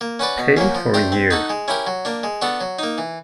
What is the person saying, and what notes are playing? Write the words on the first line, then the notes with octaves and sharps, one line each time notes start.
Pei for a year.
A#3
C#4 F#4 B4 D5
B2
F#3 A#3 C#4
F3
A3 D4 G4 C5
C4
D#4 F#4 A4
G#3
C#4 E4 G4 A#4
F#3
A#3 D4
G#3
B3 D4 F#4 A4
F#3
A#3 D#4
E3